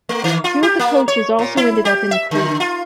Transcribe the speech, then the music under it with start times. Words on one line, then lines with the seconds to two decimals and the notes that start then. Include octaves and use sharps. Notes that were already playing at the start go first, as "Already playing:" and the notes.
Two of the coaches also ended up in the creek.
0.09 A3
0.24 D#3
0.44 F4
0.63 G4
0.79 A#3
1.08 C#5
1.39 A#2
1.57 E4
1.85 G4
2.11 E5
2.31 D3
2.60 F4